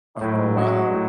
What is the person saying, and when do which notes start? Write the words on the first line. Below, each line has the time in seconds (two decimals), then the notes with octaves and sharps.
Oh, wow.
0.21 A2 F#3
0.57 G#3 C#4 F#4
0.93 A2